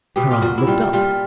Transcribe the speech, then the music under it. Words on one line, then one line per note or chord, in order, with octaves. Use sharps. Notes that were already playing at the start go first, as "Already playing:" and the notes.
Her aunt looked up.
B2 G4
F4
A#2 F#4
E4
G3 F4
G3 F4